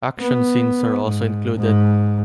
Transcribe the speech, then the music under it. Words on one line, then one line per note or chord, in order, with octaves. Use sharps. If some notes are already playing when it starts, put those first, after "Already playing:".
Action scenes are also included.
B3
G#2
G#2